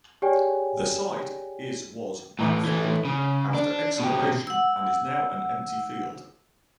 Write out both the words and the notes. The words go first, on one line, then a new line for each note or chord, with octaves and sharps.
The site is was backfilled after excavation and is now an empty field.
G4 G#4 C#5 D5 G5 G#5
A2 E3
E3 A3
C#3
D4
B2 G4
F#5 E6